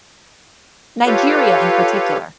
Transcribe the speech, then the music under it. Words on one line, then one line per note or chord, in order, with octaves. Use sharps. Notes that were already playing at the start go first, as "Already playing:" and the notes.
Nigeria in particular.
F4 G4 A4 B4 C#5 F5